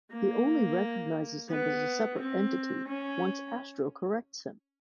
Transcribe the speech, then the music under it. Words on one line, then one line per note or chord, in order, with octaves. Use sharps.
He only recognizes him as a separate entity once Astro corrects him.
A#3
B3
C4
C#4